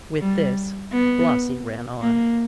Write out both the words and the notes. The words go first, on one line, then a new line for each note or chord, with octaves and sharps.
With this Blasi ran on.
G3
B3
A#3